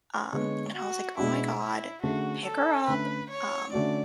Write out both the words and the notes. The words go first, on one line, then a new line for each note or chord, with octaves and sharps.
um, and I was, like, "Oh my god, pick her up," um
D3 G#3 B3 C#5
F#4
B2 G#3 D4 E4 F#4
E4
D3 A3 C#4 F#4 G#4
A4
D3 A3 C#4 B4
C#5
D3 A3 C#4 F#4 D5